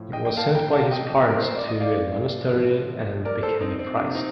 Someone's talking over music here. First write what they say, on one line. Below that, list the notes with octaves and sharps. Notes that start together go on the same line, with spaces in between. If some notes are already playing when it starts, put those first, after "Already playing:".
He was sent by his parents to a monastery and became a priest.
Already playing: A2 F3
D#5 G5
G5
F5 A5
G5 A#5
F5 A5
D#5 G5
A#2 F3
A#4
C5
D5
D#5
D5 F5
A2 F3
A#4 D5
A4 C5
C4 D#4
C4
C3 F3 D4
C4 D#4